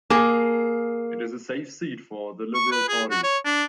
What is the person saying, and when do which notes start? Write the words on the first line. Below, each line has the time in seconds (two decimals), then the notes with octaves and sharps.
It is a safe seat for the Liberal Party.
0.10 A#3 G#4
2.55 C#6
2.72 B4
2.89 G#4
3.11 F#4
3.23 C#5
3.45 D4